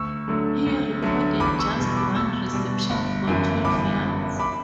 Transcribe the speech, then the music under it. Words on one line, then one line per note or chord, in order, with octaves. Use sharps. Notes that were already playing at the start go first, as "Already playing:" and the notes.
He recorded just one reception for twelve yards.
Already playing: D2 C#6 E6
D3 F#3 A3
D2
D3 F#3 A3
E2 B5 D6
C#6 E6
B2 G3
B5 D6
E2 C#6 E6
B2 G3
G1
F#2 E3
G1 B5 D6
F#2 E3
B5 D6